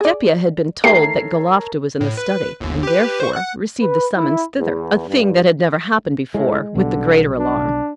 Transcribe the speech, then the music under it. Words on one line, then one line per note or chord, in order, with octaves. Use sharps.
Sepia had been told that Galofta was in the study, and therefore received the summons thither--a thing that had never happened before--with the greater alarm.
G#4 D5
D#3 A3 G4 A4 A#4 C#5 C7
A2
B4
G1 D#2
G4 B4
C5 C#6
F#5 F#6
B4
E4
E2
G2
A2 G#3
B1 B2 D3 G3
D4